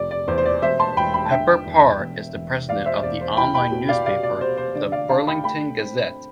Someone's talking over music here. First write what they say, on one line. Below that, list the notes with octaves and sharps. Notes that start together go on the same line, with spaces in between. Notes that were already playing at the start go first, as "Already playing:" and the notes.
Pepper Parr is the president of the online newspaper the "Burlington Gazette".
Already playing: F1 D5
D5
E2 C5
C5
D5
E1 C5 E5
A5 C6
E1 G5 B5
G5 B5
A5
D3 E5 G5
E2
E1
E1
E1 D5 F5
C5 E5
E1 D5
C5
E4 G5 B5
G5 B5
B2
D5 F5
C3 D5 F5
D5
C3 C5
C5
D3 D5
D5 F5
D3 F5 A5
G5 B5
A3 G5 B5
C4